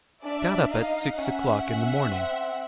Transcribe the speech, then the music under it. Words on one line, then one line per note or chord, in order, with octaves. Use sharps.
I got up at six o'clock in the morning.
D4 D5 E5
D#4 D#5 F5
C#4 E5 F#5
C#4
C4